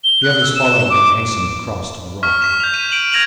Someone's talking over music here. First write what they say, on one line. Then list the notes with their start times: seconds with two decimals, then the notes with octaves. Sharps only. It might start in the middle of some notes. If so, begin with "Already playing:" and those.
The others followed, and hastened across to the rock.
0.04 G7
0.23 F#6
0.42 E6
0.56 E7
0.90 D6
2.23 C#6 F6 B6
2.42 B6 E7
2.60 G6 F7
2.74 D#7
2.92 D7 F#7
3.12 F6 G#6 A#6 D#7 F7 F#7